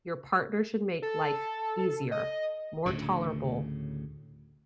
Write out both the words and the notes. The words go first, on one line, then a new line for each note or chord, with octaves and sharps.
your partner should make life easier, more tolerable,
A4
D#5
D2 A2 C#3